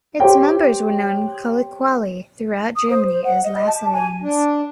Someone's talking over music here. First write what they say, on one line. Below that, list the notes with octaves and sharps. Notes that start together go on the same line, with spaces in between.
Its members were known colloquially throughout Germany as "Lassalleans".
G4 C5 C#5 G5
D#6
C5
C5
F#5
D#5
A5
G#5
D4